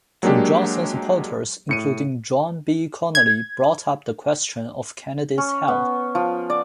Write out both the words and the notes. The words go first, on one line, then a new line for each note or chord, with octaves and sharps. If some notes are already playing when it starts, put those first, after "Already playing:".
Two Johnson supporters, including John B. Connally, brought up the question of Kennedy's health.
F#3 G#3 A#3 D4 G4
A2 C#7 D#7
G#6
C#4
B3
F3
D5